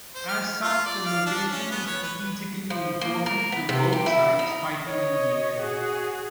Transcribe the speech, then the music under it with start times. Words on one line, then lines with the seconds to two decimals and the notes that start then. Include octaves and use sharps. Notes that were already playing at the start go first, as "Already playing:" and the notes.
As such, the location was strategically important to both sides fighting in the area.
0.15 C5
0.28 F6
0.63 F4
0.85 D5
1.06 F5
1.26 D4
1.52 C#4
1.71 B3
1.87 C#5
2.03 B4
2.70 F3
3.01 A#3
3.26 A#4
3.52 B3
3.69 C3
3.93 G4
4.06 E4
4.39 D#4
4.86 C#5 D#5
5.58 F#4 G#4